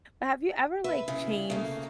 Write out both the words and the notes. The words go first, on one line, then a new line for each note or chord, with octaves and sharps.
But have you ever, like, changed
B4 E5
C#3 E4
C#3 A3 A#3